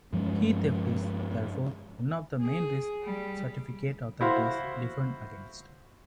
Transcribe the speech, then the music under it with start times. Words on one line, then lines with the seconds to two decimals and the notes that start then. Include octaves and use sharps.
Key theft is therefore one of the main risks certificate authorities defend against.
0.13 G2 F3 G#3 C#4
2.42 G#4
3.04 G3
4.21 E4 F#4 C5 F5 C6